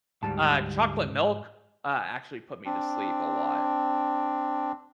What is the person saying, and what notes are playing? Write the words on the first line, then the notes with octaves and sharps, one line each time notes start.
uh, chocolate milk, uh, actually put me to sleep a lot.
D2 G#2 G3 A5
C4 D4